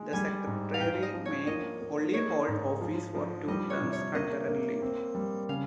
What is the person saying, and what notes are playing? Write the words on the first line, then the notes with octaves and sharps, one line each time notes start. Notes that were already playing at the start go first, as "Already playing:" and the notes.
The Secretariat may only hold office for two terms concurrently.
Already playing: G#3
G3 G#5
G#2
F5
G#2 G5
D#5
F3
C#5
A#3 D#5
A#3
D#4 C#5
G#2
F3
F3
G3 D#5
C#5
C3
C#5
A#3 D#5
A#3
C4
G3
C#3 F5